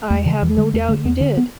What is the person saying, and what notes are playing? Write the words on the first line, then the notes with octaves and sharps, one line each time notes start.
I have no doubt you did.
E2 A3
C#3 E3
E2 E3
D3 G#3
E2 A3
D3 A3
E2 B3
D3 C#4
B3